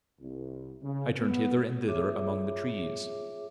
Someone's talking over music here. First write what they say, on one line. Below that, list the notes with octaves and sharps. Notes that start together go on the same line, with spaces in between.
I turned hither and thither among the trees.
C2
C#3
B3
F4 G#4 C#5 E5 D6